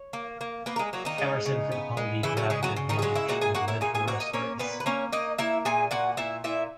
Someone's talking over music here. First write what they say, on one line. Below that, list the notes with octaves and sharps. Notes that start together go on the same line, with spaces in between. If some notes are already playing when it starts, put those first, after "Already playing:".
Emerson Fittipaldi grabbed the advantage, and led for the rest of the race.
Already playing: C#5
A#3
A#3
A#3 B3 B4
A#4
G#3 G#4
F#3 A#3 F#4
D#3 D#4
G#3
C#3
B3
G#3
C#3 E3 E4
F#3 F#4
C#3 G#3 G#4
F#3 F#4
C#3
D#3 D#4
G#4
F#3 G#3 F#4
E4 E5
A#2 F#4 F#5
G#4 G#5
A#3 F#4 F#5
E4 E5
A#2 G#4 G#5
G#4 G#5
A#3 F#4 F#5
D#4 D#5
A#3 C#4 C#5
A#2 B3 B4
B4
A#3 C#4 C#5
A#3 D#4 D#5
A#3 E4 E5
A#2 G#4 G#5
A#2 F#4 F#5
A#2 E4 E5
A#2 E4 E5